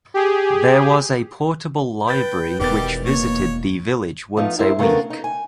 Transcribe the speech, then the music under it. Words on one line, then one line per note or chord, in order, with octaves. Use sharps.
There was a portable library which visited the village once a week.
G4 G#4
B4 G5 B5 G6 A6
E1 D#3 G3 B3 G4 D6 A6
A#3 C#5
F3 A3 B3 D#4
F#2 E4 A#4 C5
C#3 A3 B3 D4 A#4
D#4
G#5